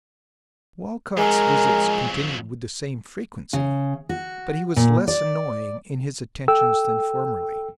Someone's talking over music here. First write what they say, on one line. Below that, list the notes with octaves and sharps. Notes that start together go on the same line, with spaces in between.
Walcott's visits continued with the same frequency, but he was less annoying in his attentions than formerly.
F2 F#3 G#3 A#4 G#5
C#3
F#4
A#2
D5
A4 G5 E6